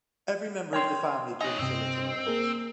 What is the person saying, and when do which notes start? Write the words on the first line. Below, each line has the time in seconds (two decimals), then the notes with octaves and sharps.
Every member of the family drinks a little of it.
0.72 C#5 G5 C6
1.41 D#4 C#5 D#5 G#5
1.59 G2 C3 C4
2.27 A#3 G#4 A#4